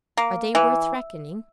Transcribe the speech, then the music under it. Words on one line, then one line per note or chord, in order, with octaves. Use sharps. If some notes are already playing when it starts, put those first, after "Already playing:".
Are they worth reckoning?
A#3
E3